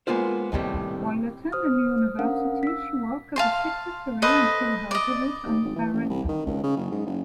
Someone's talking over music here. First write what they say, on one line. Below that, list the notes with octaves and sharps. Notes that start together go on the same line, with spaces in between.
While attending university, she worked as a secretary until her debut on "Baretta".
G#3 A#3 B3 F4 C5
D#2 A2 C3 G3
C5 D#6 F6
C#4 D4 A#4 F5 F#5
E6 B6
F5 A5 C6
A4 B4 C5 D#5
D5 D#5
D#2
G#1
E3
A1
C2
D#3
C#2
C#3
F#1
G#2
F#1